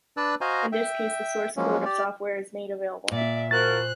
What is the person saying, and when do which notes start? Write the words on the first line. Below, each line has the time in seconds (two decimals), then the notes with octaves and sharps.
In this case the source code of the software is made available.
0.17 D4 B4 D5 A5 E6 F#6
0.41 F#4 C5 D#5 F5 G#5 A#5
0.72 E5 G5
1.57 F3 F#3 G#3 A#3 C#4
1.85 G4 D5
3.12 A#2 D5 E5
3.51 F3 F#4 A#4 C5 F#6 A6